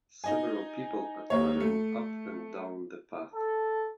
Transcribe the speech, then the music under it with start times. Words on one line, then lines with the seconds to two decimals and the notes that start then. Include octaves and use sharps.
Several people are travelling up and down the path.
0.24 D#4 D#5 G#5
1.30 D#2 A#3 C#5
1.60 A3
3.34 A4